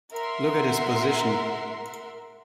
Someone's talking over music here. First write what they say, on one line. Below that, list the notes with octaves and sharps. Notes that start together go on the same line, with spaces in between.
Look at his position.
A#4 E5 F#5 C6